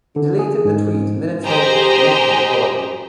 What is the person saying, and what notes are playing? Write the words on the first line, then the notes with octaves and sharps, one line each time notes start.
He deleted the tweet minutes later and issued an apology.
D3
G#4
G#2
G4 G#4 C5 D#5 G5 A#5